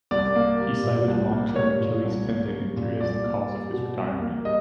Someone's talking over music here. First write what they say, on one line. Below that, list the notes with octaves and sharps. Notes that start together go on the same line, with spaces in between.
He cited a long-term achilles tendon injury as the cause of his retirement.
C2 D5
A#3
G3
A#2
C2
A#3
G3 C#5
A#2
C2
A#3
G3
A#2
C2 D5
A#3
G3
B2
C2
A#3
G3 D#5